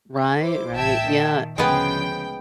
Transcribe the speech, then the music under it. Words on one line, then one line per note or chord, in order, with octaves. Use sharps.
Right, right, yeah.
E4 C5 D6
A1 E5 G5 A5 G#6
A#2 D#3
D2 C#3 F3 G#3 B3 G5